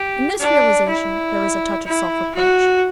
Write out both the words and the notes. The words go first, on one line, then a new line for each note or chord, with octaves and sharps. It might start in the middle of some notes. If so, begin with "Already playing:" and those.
In this realization there was a touch of self-reproach.
Already playing: G4
D4
E4
E4
F#4